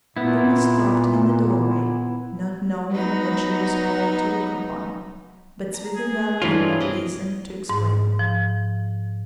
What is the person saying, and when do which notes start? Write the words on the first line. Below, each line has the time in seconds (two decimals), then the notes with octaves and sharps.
Dounia stopped in the doorway, not knowing what she was called to look upon, but Svidrigailov hastened to explain.
0.16 A#2 B3 E4
2.90 F#3 B3 D#4
5.74 A#5
5.96 G#4
6.42 G2 E3 F#3 A3 E4 F4
6.80 C3 D#5
7.70 G#2
8.19 F3